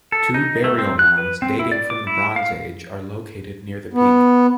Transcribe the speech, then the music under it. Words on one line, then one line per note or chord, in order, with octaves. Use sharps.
Two burial mounds dating from the Bronze Age are located near the peak.
A4
D#4
A3
C4
F#6
B4
C4
E4
D5
D6
E4
F5
B3